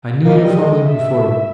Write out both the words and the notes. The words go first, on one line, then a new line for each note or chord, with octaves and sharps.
I knew your father before you.
A#3 D#5
G3
G#3 D#5
E5
A3